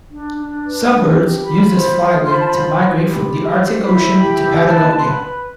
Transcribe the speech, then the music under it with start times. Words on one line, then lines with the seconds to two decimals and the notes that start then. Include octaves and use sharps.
Some birds use this flyway to migrate from the Arctic Ocean to Patagonia.
0.10 D4
0.37 D4
0.65 B4
0.91 D4
1.18 G4
1.44 F4 B5
1.71 C5
1.98 F4
2.25 C5 C6
2.32 B5
2.39 A5
2.47 B5
2.52 F4
2.79 F4
3.06 G4 B5
3.33 G4
3.59 C5
3.86 E4 B5
4.13 G4
4.40 E4
4.67 B4 A5
4.94 B4 C6
5.08 B5
5.21 B4